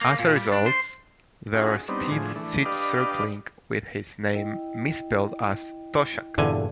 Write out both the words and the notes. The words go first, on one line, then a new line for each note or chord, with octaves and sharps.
As a result, there are still sheets circulating with his name mis-spelt as "Toshak".
A#3
A#2
G3
D4
C5
C#4 D#4 F4 F#4 G#4
G3 B3 C4 D4 D#4
A2 D3 F3 G#4
E3 A3 D4
D4 G4 B4 D5 D#5 F5
E4 D#5 G5
E2 G2 A#2 D3 A4 G#5